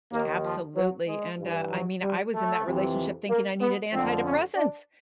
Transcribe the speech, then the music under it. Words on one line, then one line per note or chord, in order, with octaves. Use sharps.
Absolutely, and, uh I mean, I was in that relationship thinking I needed antidepressants,
D#2 D#3 A#3
F3
F#3
G#3
G2 E3
F#3
G3
A3
F2 C3 E3
A#3
B3
F2 D3 F3 C4
C#4
D4